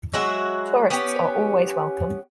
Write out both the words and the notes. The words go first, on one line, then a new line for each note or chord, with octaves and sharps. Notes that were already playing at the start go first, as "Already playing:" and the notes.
Tourists are always welcome.
F#3 G#3 F#4 E5
B3 C#4 G4